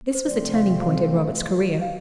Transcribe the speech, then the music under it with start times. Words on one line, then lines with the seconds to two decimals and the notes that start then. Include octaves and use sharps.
This was a turning point in Roberts' career.
0.15 C5
0.26 C3 F3 A3 C4 D5
0.54 F5
0.82 F5
1.81 F5